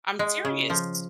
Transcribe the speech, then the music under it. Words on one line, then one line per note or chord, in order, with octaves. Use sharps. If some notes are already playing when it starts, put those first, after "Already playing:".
I'm serious.
G#3
C#3
F3